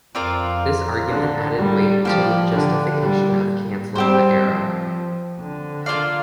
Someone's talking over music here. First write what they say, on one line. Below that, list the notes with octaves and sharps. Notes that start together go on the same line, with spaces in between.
This argument added weight to the justification of cancelling the Arrow.
F2 C4 F4 A#4 D5
D3
G3
F3 A#3 G4 D5
D3
G3
G3 C4 G4 C5
F3
D3
A#3 F4 D5 F5